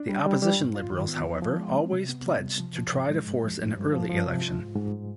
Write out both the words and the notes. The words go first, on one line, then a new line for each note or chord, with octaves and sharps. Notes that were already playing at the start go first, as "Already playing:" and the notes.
The opposition Liberals however always pledged to try to force an early election.
Already playing: D4
G3
G3
G3
G#2
F4
D#3
B3
F3
F3
G#3
C4
C3
B3
G3
C3
F3
F3
G#2
G#3
G2
F3
G2
G2
F3
F3
C3
F4
G#2
G#2